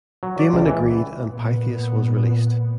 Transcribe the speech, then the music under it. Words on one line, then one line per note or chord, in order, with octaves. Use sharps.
Damon agreed, and Pythias was released.
F#3
D5
C#2
E3
A#2 B3